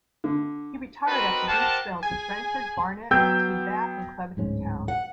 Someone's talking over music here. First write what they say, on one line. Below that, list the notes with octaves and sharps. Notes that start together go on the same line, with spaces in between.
He retired after brief spells with Brentford, Barnet, Team Bath and Clevedon Town.
D3
B3 C4 D#4 F#4 A#4 B4
G4 A#4 C5 F#5 A5
G#4 G#5
F#3 B3 G5 E6 G6
D1 G#2 C#4
F#5